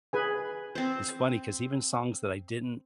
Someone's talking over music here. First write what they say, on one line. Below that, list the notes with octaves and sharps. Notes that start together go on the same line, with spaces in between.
It's funny 'cause even songs that I didn't
G#4 B4 G#5
C4 C5